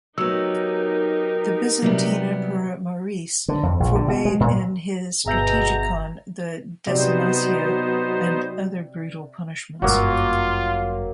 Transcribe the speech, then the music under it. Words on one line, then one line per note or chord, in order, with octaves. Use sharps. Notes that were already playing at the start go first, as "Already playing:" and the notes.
The Byzantine Emperor Maurice forbade in his Strategikon the "decimatio" and other brutal punishments.
F#3 B3 D#4 G4 A#4 E6
C3 F#3 G3 B3
D3
F2
A#1
D3
B2
G#3
A#2
G1 B2 G#4 E5 A#5 G6
C3 F#3 B3 D#4 C5 D5
G1 F#2 F#3 A#3 F4